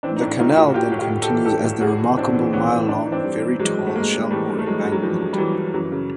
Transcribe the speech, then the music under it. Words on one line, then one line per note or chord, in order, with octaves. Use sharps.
The canal then continues as the remarkable mile-long very tall Shelmore Embankment.
E3 C4 D4
D#4
A2 D4 E4
A2 D#4 F4
A2 E4 F#4
A2 F4 G4
A2
F4 G4
A2
G4 A4
E3
A2 G4 A4
A2
A2 F#4 G#4
E3
A2 C4 D4
E3
E3 B3 C#4
E3
E3 D4
D#4
E3
C4 D4
G2
E3
E3 F#3 G#3
G2
A3
G2 G#3 A#3
G2
E3 G3 A3
G2
A3
E3 F#3 G#3
G2
F#3
E3 F3
G2
G3
E3 F#3
E3
F#2 E3 F#3
C#3